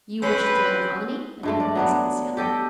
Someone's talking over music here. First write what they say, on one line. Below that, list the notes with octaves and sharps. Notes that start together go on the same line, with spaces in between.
"You wish to join the colony?" again asked the sailor.
C4 C#4 B4
G2 G#3 A3
D5
F#3 B3 D4
G4 A4 D#5 G5